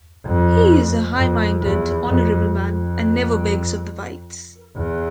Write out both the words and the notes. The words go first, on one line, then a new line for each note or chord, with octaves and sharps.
He is a high minded, honorable man and never begs of the whites.
F2
F2
E2
F2
F2
E2